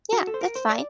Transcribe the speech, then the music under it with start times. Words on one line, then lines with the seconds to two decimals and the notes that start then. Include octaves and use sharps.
Yeah, that's fine.
0.13 F#4
0.27 A4
0.34 C5
0.41 A#4
0.55 C5
0.70 D5